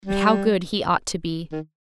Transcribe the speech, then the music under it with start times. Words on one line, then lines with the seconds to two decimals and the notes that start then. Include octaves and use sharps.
But how good he ought to be!'
0.05 G3
1.52 D#3